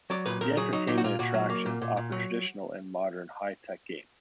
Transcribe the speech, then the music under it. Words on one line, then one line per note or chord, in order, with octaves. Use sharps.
The entertainment attractions offer traditional and modern, high-tech games.
F#3 D5
A#2 B4
A#2 A#4
F#3 G#4
F#3 D#4
A#2 D#4
F#4
A#2 F4
A#2 F#4
F#3
A#3
A#2
A#2
A#2
F#3